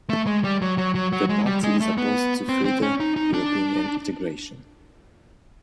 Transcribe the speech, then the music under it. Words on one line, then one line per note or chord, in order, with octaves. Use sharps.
The party is opposed to further European integration.
A3
G#3
G3
F#3
F#3
F#3
F#3
G#3
G3
G#3
A3
B3
C4
C4
C#4
D#4
D#4
D4